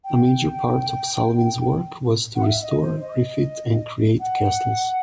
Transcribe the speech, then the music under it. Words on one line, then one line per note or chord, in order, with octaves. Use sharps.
A major part of Salvin's work was to restore, refit and create castles.
G5
F#5
E5
D#5
C5
D#5
F#5